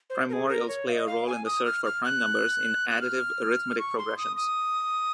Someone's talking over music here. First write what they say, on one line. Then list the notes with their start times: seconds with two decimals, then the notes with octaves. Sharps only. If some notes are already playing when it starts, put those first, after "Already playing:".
Primorials play a role in the search for prime numbers in additive arithmetic progressions.
0.10 C5
0.29 A#4
0.33 G#4
0.49 A#4
0.68 C#5
0.88 F5
0.93 D#5
1.07 F5
1.27 G#5
1.46 D#6
1.65 F6
1.85 F6
2.04 F#6
2.90 F#6
3.01 F6
3.79 C#6
3.98 C6
4.18 D#6
4.36 D#6